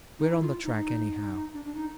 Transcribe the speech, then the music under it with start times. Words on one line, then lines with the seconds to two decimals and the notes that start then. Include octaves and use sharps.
We're on the track anyhow.
0.19 D#4
0.29 E4
0.41 F4
0.64 D#4
0.75 D#4
1.53 D4
1.64 D4
1.75 D#4